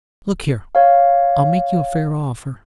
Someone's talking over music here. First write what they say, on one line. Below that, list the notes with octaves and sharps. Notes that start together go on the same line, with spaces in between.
Look here!--I'll make you a fair offer.
C#5 F5